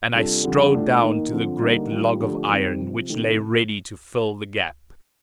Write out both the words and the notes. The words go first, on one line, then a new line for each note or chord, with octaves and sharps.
And I strode down to the great log of iron which lay ready to fill the gap.
C3 G3 D4 F4 A4
F2 D3 G3
A2 A3 D4 F4
D#3 A#3 D#4
D3 F3 C4
D3 G3 A#3 D#4
D#3 G3 A#3 F4
D3 F3 A3 D4 G4
D#3 G3 C4
C3 F3 C4
C3 D#3 A3